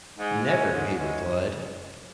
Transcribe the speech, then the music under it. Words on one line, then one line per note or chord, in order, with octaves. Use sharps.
'Never,' he replied.
G#2
E3 G#3 C#4
G#2
E3 G#3 C#4